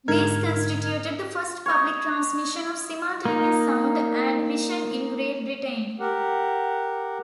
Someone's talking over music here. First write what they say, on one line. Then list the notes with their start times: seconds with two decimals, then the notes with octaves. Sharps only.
These constituted the first public transmission of simultaneous sound and vision in Great Britain.
0.08 G#2 D3 D#4 A#4 F6 G#6
1.66 C#5 D#5
3.25 A#3 D#4
6.00 G4 A#4 F#5